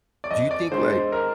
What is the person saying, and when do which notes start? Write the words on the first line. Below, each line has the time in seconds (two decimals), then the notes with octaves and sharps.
do you think like
0.24 D5
0.31 F2 D#5
0.51 D5
0.71 D3 G#3 C5
0.92 C5
1.12 A#4